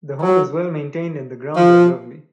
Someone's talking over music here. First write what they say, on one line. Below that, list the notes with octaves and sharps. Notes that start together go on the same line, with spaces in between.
The home is well maintained and the grounds are lovely.
F#3
F3